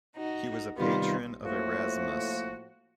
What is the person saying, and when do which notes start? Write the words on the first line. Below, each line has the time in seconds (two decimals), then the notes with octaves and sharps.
He was a patron of Erasmus.
0.16 D#4 F#4
0.77 C3 D#3 G3 B3 F4
1.44 A2 F3 A3 A#3 F#4